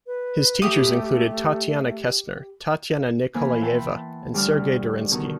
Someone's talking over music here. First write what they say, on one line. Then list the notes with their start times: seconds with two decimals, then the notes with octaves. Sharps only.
His teachers included Tatiana Kestner, Tatiana Nikolayeva and Sergei Dorensky.
0.07 B4
0.62 A3 G4 D#6
3.34 E3 F3 A#3 C5 G#5 B5
3.61 E5 F#5 G5 A5 B5 C6
4.34 D2 G3 B4 D5 F6
5.11 B2 D3 D#3 D#4 F#4 A#4